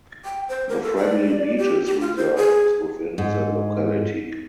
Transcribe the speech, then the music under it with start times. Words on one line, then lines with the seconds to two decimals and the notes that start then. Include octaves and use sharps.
The Friendly Beaches Reserve is within the locality.
0.25 G5
0.49 C5
0.69 A#4
0.83 A4
0.96 D5
1.58 G4
1.86 G4
2.00 F4
2.16 C5
2.36 G#4
3.18 G#2